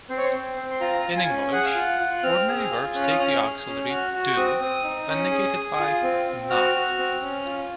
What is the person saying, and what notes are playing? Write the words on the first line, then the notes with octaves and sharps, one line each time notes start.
In English, ordinary verbs take the auxiliary "do" when negated by "not".
C4 C5
C#5
C5
C4
C4
C6
F4 A#5
F4
G#5
C#4
G#4 F#5
F5
F4 F#5
F4
F#6
C4 F6
G#4
F6
F4
C#4 F#6
F6
D#6
C#4 F6
G#4
C#4
F#4
F#4
C#6
C4 D#6
C4
D#4
C#4
G#4
G#4
F4
C4
C4
F#4 F6
F#4
C4
C#4
F4